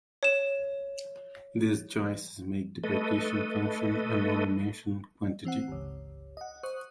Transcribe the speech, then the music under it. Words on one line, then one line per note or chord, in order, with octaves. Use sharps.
These choices make the partition function a nondimensional quantity.
C#5 E7
A3 A4 B4 D#5
E3 C4 F#5
G1 C#2
D#5 F#5
C5 C#6 D#6 F#6